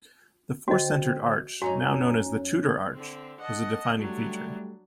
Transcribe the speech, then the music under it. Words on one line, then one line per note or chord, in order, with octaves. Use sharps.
The four-centered arch, now known as the Tudor arch, was a defining feature.
D3 F#4 C5 D#5 G5
F#2 C#4 D#4 F#4 G#5 A#5
D3 C4
D#5 F#5 A5
F#3 G3 A3 D4